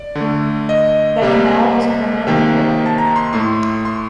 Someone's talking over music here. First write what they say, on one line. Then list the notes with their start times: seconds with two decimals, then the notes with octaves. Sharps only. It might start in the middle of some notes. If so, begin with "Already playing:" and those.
The canal was permanently abandoned.
Already playing: D5
0.15 D3
0.21 A3
0.69 D#5
1.22 C3 G3 A#3
2.27 C3 D#3 A#3 G5
2.86 A5
2.98 A#5
3.16 C6
3.33 A2 A3 C6
3.85 C6